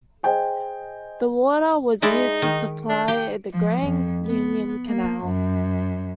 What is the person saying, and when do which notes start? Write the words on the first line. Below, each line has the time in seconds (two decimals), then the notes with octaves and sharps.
The water was used to supply the Grand Union Canal.
0.23 G#4 C5 D#5 G5 G#5
2.02 G#3 D#4 E4 D5
2.42 D#3
2.89 D4
3.08 G4 G5
3.53 F3
3.83 F2
4.26 B3
4.87 A#3
5.25 F#2